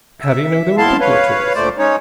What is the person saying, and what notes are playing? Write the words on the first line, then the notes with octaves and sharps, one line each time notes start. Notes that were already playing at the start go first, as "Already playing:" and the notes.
"How do you know they were burglar tools?"
E5
D#2 B3 E4 F5 A5 C6
B4 C#5 F5
D2 A#2 A3 C5 D5
G#3 C#4 D#4 C#5